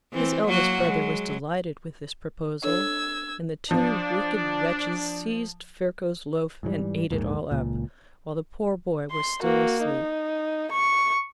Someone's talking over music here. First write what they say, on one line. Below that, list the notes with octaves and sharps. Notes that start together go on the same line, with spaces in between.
His eldest brother was delighted with this proposal, and the two wicked wretches seized Ferko's loaf and ate it all up, while the poor boy was still asleep.
E3 C4
F#3 A#3 F#4
F#3 G#3
D4 A4 C#5 E6 G#6
F3 D4
G#2 E3 F3 G3
A#1 D#2 G#2 D#3
C#2 A#2
C6
A#3 F#4
D#4
C#6